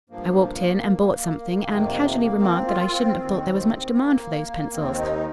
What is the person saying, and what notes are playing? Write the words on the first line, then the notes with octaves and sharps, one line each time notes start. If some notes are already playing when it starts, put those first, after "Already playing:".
I walked in and bought something, and casually remarked that I shouldn't have thought there was much demand for those pencils.
G2 F3 A#3
F2 C3 D#3
C4
F4
C4
D#2 D#3
A#3
D#2 D#3 C4
D#4